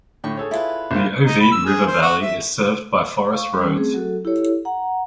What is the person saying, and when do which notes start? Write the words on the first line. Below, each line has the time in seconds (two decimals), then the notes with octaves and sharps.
The Ovide river valley is served by forest roads.
0.24 A2 D3 G5 C#6
0.37 G#4 A4 C#5
0.51 E4 F4 B4
0.91 A#1 C5 F5
1.26 D#4
1.40 B5
1.52 E6
1.66 G#4
1.87 C5
2.02 F#4
2.22 E5
3.34 F5 C#6
3.53 G3 C#4
3.76 A3 C4 G#4
3.94 F#3 F#4 A4
4.25 E4 G4 A4 C#5
4.65 F#5 A#5